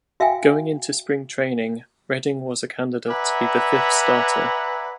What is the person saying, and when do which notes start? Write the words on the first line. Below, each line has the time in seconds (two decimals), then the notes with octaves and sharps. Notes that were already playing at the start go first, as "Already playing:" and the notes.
Going into spring training, Redding was a candidate to be the fifth starter.
0.20 F#4 E5 F5 G5 G#5
3.09 B4 D5 E5 F#5 G#5 A#5